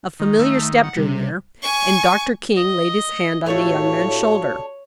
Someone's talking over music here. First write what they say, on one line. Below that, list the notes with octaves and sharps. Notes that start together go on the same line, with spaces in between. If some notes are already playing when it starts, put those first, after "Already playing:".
A familiar step drew near, and Dr. King laid his hand on the young man's shoulder.
D#3
A3 E6
F#5
C3 G3
G#5 C#6
D#5
A2 A3 D4 F#4 G4 C#5 F5 G#5